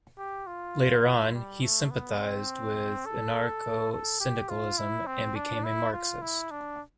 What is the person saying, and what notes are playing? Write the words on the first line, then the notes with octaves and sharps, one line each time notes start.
Later on, he sympathised with Anarcho-Syndicalism and became a Marxist.
G4
F4
G3
A3
B3
C4
A4
A4
G4
F4
E4
C4
D4
E4
F4
E4
D4